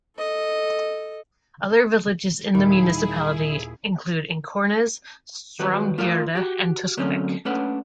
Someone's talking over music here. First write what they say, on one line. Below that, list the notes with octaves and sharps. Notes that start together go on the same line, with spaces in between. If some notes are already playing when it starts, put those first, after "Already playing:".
Other villages in the municipality include Ikornnes, Straumgjerde, and Tusvik.
A4 D#5
D#2 A#2 D#3 G3 E4 G#4 B5
D#3 G3 F#4 G4 B4 C#5
A3 F4 A#4 C5 D5 F5
F#4 G4
D3 F#3 A3 A#3 C4 C#4
A3 A#3 C#4 D4 B4 F#5